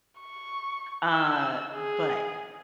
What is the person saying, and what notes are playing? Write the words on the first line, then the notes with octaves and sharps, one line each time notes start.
uh, but,
C#6
E6
G#4